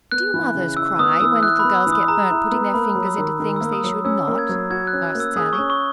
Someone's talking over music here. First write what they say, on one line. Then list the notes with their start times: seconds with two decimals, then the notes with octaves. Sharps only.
"Do mothers cry when little girls get burnt putting their fingers into things they should not?" asked Sallie.
0.12 B3 F#6
0.34 E3
0.55 C#3
0.77 E4 E6
0.99 B3 D#6
1.21 E3 E6
1.43 E4 F#6
1.59 B5
1.65 B3
1.75 E6
1.87 E3
1.92 D#6
2.08 G#4 A#5
2.31 E4
2.52 B3
2.74 A#3 B5
2.96 F#3
3.07 E6
3.18 D#3
3.40 D#3
3.56 A#3 E6
3.73 D#6
3.84 F#3
3.89 E6
4.05 C#4 E6
4.27 A#3
4.39 G#6
4.49 F#3
4.70 F#4 G#6
4.87 F#6
4.93 C#4
5.04 G#6
5.15 A#3
5.20 E6
5.36 G#4 D#6
5.53 C#6
5.58 C#4
5.70 C#6